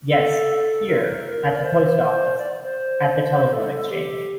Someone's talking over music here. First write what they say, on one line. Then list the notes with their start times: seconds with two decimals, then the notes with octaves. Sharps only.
Yes, here; at the post office — at the telephone exchange.
0.10 A4
0.87 A#4
1.55 D5
1.63 C5
2.38 D5
2.64 C5
3.53 A4
3.72 A4
3.91 G4